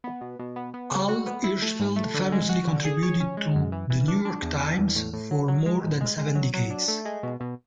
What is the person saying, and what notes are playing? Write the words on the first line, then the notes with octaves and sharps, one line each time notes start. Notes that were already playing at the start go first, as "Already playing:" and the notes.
Al Hirschfeld famously contributed to "The New York Times" for more than seven decades.
B3
B2
B2
B3
B3
C#3
F#4
B3
E4
A3
G#2
A3
D3
G#3
F#4
D3
G#4
C#5
C#4
G#3
F#2
E3
E3
D4
D4
E2
D4
E2
A2
A2
F#3
F#3
G#3
A2
G#3
G#3
F#3
F#3
D4
A3
G#3
B2
B2